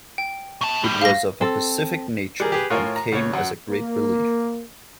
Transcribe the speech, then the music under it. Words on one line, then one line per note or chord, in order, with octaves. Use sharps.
It was of a pacific nature, and came as a great relief.
G5
B2 A5
A2 G3
F5 A#6
C4 A4
G3 G#4 A#4
G4 G#4 B4
A2 F4 A#4 C#5 G#5
A#5
C#2 C#5
F#2 F#5
A#3